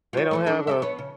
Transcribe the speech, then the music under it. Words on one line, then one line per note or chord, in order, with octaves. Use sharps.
They don't have a
F4 C#5
E2 F3 A3
D4 D#4 A4
A4 A#4 E5
B3 C#5
C#3